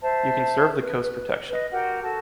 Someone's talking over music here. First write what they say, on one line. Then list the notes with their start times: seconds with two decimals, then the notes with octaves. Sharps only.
You can serve the coast protection.
0.01 C5 E5 A5
0.79 B4
1.49 B4 D#5
1.71 F#4 G4 A#4 F#5
2.02 F#4 A4 A5